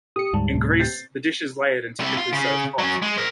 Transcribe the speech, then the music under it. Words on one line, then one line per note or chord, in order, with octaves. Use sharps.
In Greece, the dish is layered and typically served hot.
G4 D#6 C#7
D2 G#2 G3 A5
A2 C3
G6 A6 C7
C3 E4
F4
C#3
F#3 C#4
G#3
A#4 C5